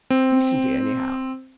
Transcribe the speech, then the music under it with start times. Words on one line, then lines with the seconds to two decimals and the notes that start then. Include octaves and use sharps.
Decently, anyhow.
0.10 C4